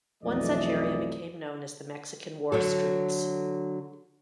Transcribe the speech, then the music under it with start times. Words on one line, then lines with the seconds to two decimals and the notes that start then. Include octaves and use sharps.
One such area became known as The Mexican War Streets.
0.24 B1 F2 E3 A3 D5 D#5
2.52 D3 F#3 A4